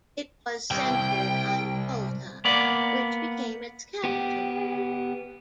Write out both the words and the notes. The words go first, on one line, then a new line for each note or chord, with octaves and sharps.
It was centered on Balta, which became its capital.
C2 G5
A#3 B3 D5
B3 G4